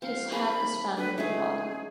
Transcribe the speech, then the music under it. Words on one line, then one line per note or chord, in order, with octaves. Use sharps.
His hat is found near the body.
D1 C4 F5
A#3 G#4 B5
D#2
D2 B4
C#2 A3 D#4 G#4